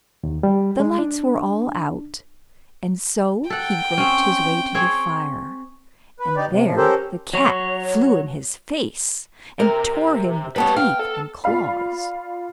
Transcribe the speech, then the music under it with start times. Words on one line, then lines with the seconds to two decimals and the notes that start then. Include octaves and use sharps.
The lights were all out, and so he groped his way to the fire, and there the cat flew in his face, and tore him with teeth and claws.
0.23 D#2
0.43 G3
0.80 G#3
0.99 D4
3.50 A4 F#5 G5
3.98 C4 C#4
4.75 C4 G#4 C#5
6.19 B4
6.37 D#4 G4 D5
6.50 C3
6.65 F3
6.77 C#4 G4 A4 A#4 C5
7.33 F#3 C#5
9.60 C3 A#4
10.56 G3 B3 B4 C#5 A5
10.76 F5 G5
10.99 A4
11.44 F4 D5 F5 B5